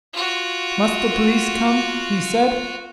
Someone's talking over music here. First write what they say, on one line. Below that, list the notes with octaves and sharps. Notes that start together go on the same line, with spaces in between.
"Must the police come?" he said.
F4 F#4